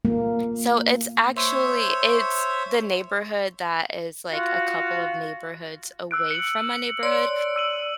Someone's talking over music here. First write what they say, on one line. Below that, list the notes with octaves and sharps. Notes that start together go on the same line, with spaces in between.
So it's actually it's the neighborhood that is, like, a couple of neighborhoods away from my neighborhood.
A#3
C5 C#5 E5
F4 F#4
E6 F#6 D7
C#7 F#7
C#5 D5 C6
D5
E6 D#7 F#7